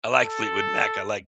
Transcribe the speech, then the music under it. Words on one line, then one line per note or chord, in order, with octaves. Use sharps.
I like Fleetwood Mac, I like
A4